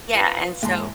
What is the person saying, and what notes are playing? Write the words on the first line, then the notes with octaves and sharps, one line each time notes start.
Yeah, and so
F4 B4
D#2 G#2 E3 A5 C6